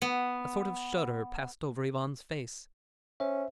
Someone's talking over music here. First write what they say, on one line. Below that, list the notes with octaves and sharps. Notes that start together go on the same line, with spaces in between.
A sort of shudder passed over Ivan's face.
B3
C#4 C5 E5